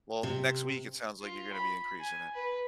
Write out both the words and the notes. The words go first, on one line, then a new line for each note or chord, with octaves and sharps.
Well, next week it sounds like you're gonna be increasing it.
C3
F4
B5
G#5
B4